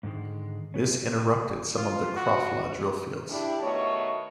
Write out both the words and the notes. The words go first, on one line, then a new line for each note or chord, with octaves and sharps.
This interrupted some of the Krafla drillfields.
G#2 D3 D#3 G#3
F#2 B3 C#4
F4
F#4
D4 E4 G4
B2 D#3 A3 F#4 C#5